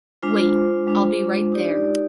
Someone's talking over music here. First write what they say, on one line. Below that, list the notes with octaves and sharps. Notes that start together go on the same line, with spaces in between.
Wait, I’ll be right there.
G#3 D4 F4 C5
G#3 D4 F4 C5
D#4 G4 D5